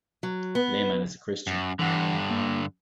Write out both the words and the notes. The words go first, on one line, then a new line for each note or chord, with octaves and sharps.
Lehman is a Christian.
F#3
B3
F#2
G2 D3 E3 F#5
A#3